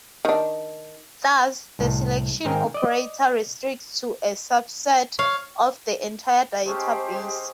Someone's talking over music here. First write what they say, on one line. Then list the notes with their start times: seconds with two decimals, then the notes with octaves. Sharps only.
Thus, the selection operator restricts to a subset of the entire database.
0.25 D#3 D4
1.79 C2 A2
2.45 G#2 D#3 C4 A#4 G5 G#5
2.74 D5 D#5
5.19 C#5 F5
6.65 G#3 A3 C#4 G4 C5
7.15 G#3